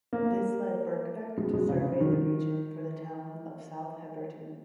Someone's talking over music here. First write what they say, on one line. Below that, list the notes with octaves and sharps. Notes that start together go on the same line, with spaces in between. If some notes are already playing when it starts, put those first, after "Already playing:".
This led Birkbeck to survey the region for the town of South Heberton.
A#3
G#3
G#3
C#3
D#3